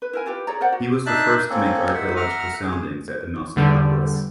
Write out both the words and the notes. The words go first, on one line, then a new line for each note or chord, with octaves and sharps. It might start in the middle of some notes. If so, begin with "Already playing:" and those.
He was the first to make archaeological soundings at Emmaus-Nicopolis.
B4
E4 A#4 G#5
E4 F4 G4 B4
G#4 C#5 D5 A#5
A#4 C5 D5 F#5
F#4
D4 D#4 E5 A5 F#6
A#3 C4 C#4 A4
D#4 E5 F#5
E5 F#5 A#5 F6
G#4
E2 D3 G3